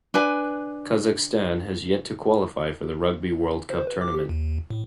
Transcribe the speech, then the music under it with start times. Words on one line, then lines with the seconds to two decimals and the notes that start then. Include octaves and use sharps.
Kazakhstan has yet to qualify for the Rugby World Cup tournament.
0.14 D4 B4 G#5
3.70 C5
3.87 B4
4.01 D6
4.14 G4
4.29 D#2
4.70 A2